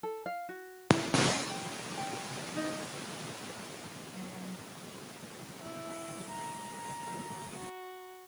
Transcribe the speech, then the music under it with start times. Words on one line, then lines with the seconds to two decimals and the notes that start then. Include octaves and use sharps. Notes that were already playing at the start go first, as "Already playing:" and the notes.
It is part of City of Lismore.
0.03 A4
0.26 F5
0.49 F#4
0.90 E4
1.50 G5
1.98 G5
2.56 D#4
4.14 F#3
5.62 E4
6.30 A#5
7.53 F#4